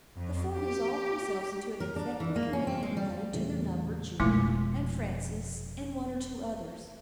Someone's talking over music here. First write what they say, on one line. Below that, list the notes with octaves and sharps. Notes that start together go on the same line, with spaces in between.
The four resolved themselves into an executive committee, adding to their number Julia, and Frances and one or two others.
F2
G4
A#4
D4
E3
A#3
C#4
C4
G#3
G3
E2 A#2 C#3 E3 G3 A3
F1 B2 F3 G#3 A3 E4 D6